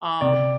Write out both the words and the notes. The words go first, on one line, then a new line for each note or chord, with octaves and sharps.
U um,
C3 D5